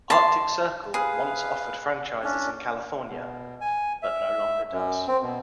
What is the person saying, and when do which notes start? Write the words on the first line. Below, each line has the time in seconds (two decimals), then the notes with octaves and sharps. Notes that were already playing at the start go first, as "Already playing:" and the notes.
Arctic Circle once offered franchises in California, but no longer does.
0.10 A5 C6
0.94 G#4 B4 F5
2.24 C#4 D4
3.09 B2
3.61 G#5
4.02 E5
4.72 F#2
5.07 C4
5.22 B2